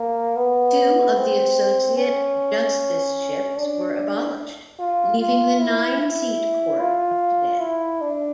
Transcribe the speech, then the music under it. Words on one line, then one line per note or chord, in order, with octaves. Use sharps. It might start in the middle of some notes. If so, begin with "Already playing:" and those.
Two of the Associate Justiceships were abolished, leaving the nine-seat Court of today.
Already playing: A#3
B3
C4
C#4
D4
F4
F4
E4
E4
F4
E4
D4